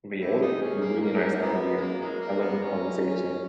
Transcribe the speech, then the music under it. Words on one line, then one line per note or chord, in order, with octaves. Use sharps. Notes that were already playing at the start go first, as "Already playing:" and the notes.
but, yeah, it was really nice talking to you. I love this conversation.
E4 G4
G#3 B3 D#4
C#4 G#4
A#3
A#3 A#4
E3 G#3 B3
G#3
A#3 A#4
C#3 E3 G#3
A#3
B3
C#4
C#4